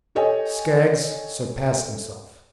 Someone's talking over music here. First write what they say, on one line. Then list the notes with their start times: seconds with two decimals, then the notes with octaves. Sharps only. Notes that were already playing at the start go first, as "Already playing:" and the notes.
Skaggs surpassed himself.
0.15 G4 A4 C#5 D#5 G5 G#5